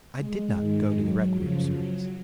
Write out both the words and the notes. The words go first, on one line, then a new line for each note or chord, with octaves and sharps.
I did not go to the requiem service.
G#3
G#2 D#3
F#3
F#2 C#3 F3
F#3